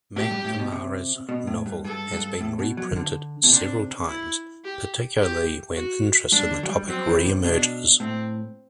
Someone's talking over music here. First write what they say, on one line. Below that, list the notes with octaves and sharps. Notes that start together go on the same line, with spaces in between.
MacNamara's novel has been reprinted several times, particularly when interest in the topic re-emerges.
A2 G4
G2
A2
B2
C3
B2
A2
G2
G2 A4
G2
A2
B2
F#3
D3
B2
C3 D4
E4
G4
G4
F#4
G2 D4
D3
F#3
G3
F#3 C4
E3
C3
B2 D4
A2 C4